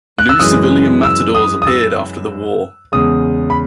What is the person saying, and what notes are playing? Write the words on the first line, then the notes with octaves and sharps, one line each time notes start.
New civilian Matadors appeared after the war.
F#6
E6
F#2 E3 G#3 D#6
E6
D#6
D#6
E6
E2 C#3 G#3 D#6
B5